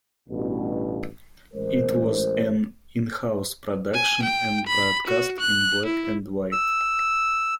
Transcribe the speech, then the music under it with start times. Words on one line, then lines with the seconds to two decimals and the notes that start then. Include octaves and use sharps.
It was an in-house production and broadcast in black and white.
0.29 A1 G2 B2
1.54 A1 G#3 A#4 C5
3.94 G#5
4.23 G5
4.67 B5
5.07 F#4
5.40 F#6
5.86 E4
6.52 E6